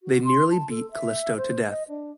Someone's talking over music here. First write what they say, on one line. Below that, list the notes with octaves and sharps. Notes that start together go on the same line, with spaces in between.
They nearly beat Callisto to death.
F#4
C6
A5
A4
E5
C5
D#5
D4